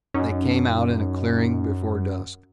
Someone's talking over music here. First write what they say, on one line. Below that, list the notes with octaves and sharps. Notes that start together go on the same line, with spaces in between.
They came out in a clearing, before dusk.
F#2 C#4 D#4